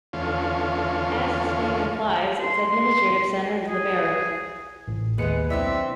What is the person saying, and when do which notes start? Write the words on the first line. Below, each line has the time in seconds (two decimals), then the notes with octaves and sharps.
As its name implies, its administrative center is Liberec.
0.13 E2 D3 F3 A3 C#4 F4
2.42 C6
3.67 G#4
4.88 A1 A2
5.18 D#2 G#3 B3 B4 E5 C#7
5.50 B1 B3 C4 D4 E4 D5 E5